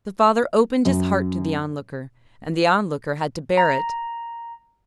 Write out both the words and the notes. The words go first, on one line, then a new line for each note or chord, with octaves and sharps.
The father opened his heart to the Onlooker--and the Onlooker had to bear it.
F#2
A#5